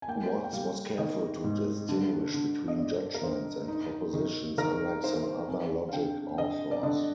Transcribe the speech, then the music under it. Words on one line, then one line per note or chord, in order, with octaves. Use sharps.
Watts was careful to distinguish between judgements and propositions, unlike some other logic authors.
G#5
A#3 G5
G#5
G5
G3 F5
D#3 D#5
G#2
D3
D3
D#5
G1 D5
A#4
D3 C5
D#4
D#3
D#3 A#4
D#4 C5
A#4
C5
F2 G#5
F5
D3 G5
D3 D#5
D5
D3 D#5